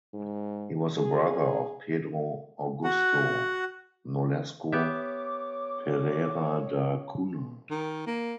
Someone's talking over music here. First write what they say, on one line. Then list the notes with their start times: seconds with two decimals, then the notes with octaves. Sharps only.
He was the brother of Pedro Augusto Nolasco Pereira da Cunha.
0.14 G#2
0.98 G#4
2.84 F#4 F#5
4.73 B3 G4 C#5 E5 D6
7.70 D#3
8.07 A#3